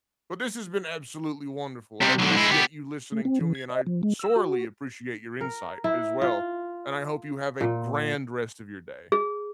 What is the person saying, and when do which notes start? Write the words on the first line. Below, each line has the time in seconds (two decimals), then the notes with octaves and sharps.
But this has been absolutely wonderful, I appreciate you listening to me, and I sorely appreciate your insight, as well. And I hope you have a grand rest of your day.
2.02 C3 G3
2.19 B1 D3
2.36 G#3 E4
2.51 B3 G4
3.12 A3
3.25 C4
3.41 E3
3.55 G#6
3.70 D#5
3.87 F3
4.03 G#3
4.19 E6
4.36 F#4
5.41 A#4
5.84 E4
6.22 F4
7.61 A#2
9.12 G#4